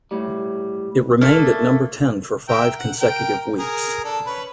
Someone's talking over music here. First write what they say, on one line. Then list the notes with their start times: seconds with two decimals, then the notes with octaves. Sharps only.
It remained at number ten for five consecutive weeks.
0.11 A2 G3
1.21 A3 A#3
2.48 A#4 E5 G5
2.79 F#5
3.01 A#4 G5
3.58 G#4 A#4
4.04 D4 A4
4.26 C#4 B4